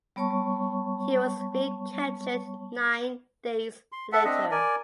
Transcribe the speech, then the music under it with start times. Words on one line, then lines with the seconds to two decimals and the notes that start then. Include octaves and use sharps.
He was recaptured nine days later.
0.16 G3 B3 C#5 A5 C#6
3.92 C6
4.12 A4 E5 F#5
4.25 C4 D4 D#5 E5
4.51 A#4 D5 G#5